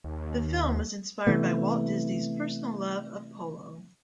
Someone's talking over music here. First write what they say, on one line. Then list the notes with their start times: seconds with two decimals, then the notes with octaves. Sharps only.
The film was inspired by Walt Disney's personal love of polo.
0.04 D#2
1.27 C3 E3 A3 B3